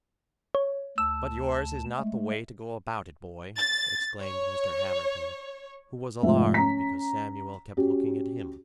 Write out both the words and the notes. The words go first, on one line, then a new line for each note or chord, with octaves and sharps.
"But yours is not the way to go about it, boy!" exclaimed Mr. Hamerton--who was alarmed because Samuel kept looking at him.
C#5
D2 A5 E6
G#3 A3
A6
C#5
F1 G#2 F3 E5
C#4 A#5 B6
C#4 F#4 G4